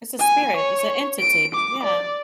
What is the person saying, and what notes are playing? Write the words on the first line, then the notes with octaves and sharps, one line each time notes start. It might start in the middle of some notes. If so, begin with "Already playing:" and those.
It's a spirit. It's a entity. Yeah.
G#5
C#5
D7
D6
D5